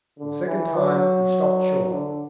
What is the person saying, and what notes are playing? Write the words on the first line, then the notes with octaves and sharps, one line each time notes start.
For the second time, he stopped short.
D3
E3
F#3
D3